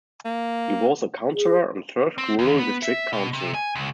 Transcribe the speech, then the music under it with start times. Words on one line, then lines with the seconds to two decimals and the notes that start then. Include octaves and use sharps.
He was a councillor on Thirsk Rural District Council.
0.25 A#3
1.34 G#4
2.18 C4
2.39 D#2
2.59 B3
2.83 E5
3.13 B2
3.33 C3
3.54 G#5
3.75 C#2